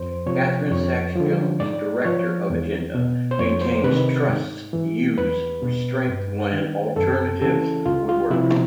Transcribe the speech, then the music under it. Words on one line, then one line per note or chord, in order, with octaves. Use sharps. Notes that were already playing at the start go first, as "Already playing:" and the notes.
Katharine Sacks-Jones director of Agenda, maintains trusts use restraint when alternatives would work.
Already playing: F2 C5
C3 F3 C#5
F2 C#5
D3 F3
G#2 D5
F3 C#5
E2
B2
C5
F2 C#5
C5
C3 D#3 B4
G#2
E3
E2 B4
B2
G2
D#3
F#2 A4
C#3 E3 A4
C#2 F4
F4
C3 F3 E4